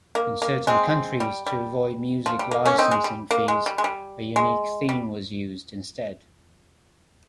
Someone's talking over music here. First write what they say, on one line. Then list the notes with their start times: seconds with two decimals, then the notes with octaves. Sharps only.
In certain countries, to avoid music licensing fees, a unique theme was used, instead.
0.15 A#3
0.42 A#3
0.67 G#3 C4
1.20 G3
1.46 G3
2.26 F3
2.39 G3
2.51 A#3
2.65 A#3 C#4
2.78 C4 D#4
2.91 G#3
3.04 G3
3.31 A#3
3.48 G#3
3.66 G3
3.78 G#3
3.84 G3
4.36 G#3
4.89 G3